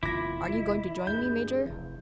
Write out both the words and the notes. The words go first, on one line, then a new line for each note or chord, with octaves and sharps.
"Aren't you going to join me, Major?"
F1 E2 D#3 E4 F4 D6 A#6
D#5
D2 G2 G#4 G6
F1 E3